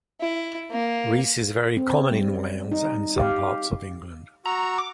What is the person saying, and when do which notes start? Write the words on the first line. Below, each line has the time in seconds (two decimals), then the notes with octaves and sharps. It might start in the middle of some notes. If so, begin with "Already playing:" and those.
Rhys is very common in Wales, and some parts of England.
0.21 E4
0.71 A#3
1.77 C4
2.11 G3
2.72 D#4
3.16 G4 F5
4.46 F#4 A#5 C#6 E6
4.78 D6